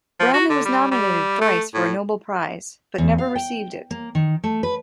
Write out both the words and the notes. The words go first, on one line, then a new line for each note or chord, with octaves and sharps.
Branly was nominated thrice for a Nobel Prize, but never received it.
F3
F#4
D3
G3
G3
A3
A2
E2
F5
G5
A#3
D#3
A3
B4